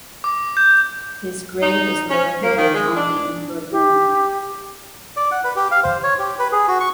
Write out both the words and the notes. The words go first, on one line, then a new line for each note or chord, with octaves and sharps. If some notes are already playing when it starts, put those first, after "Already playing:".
His grave is located on the in Berlin.
D6
G6
D#4
C#4
A#3
D#3
G#3
D4
G4
D5
F#5
B4
G4
F5
C5
C#5
G4
B4
G#4
F#4
C#6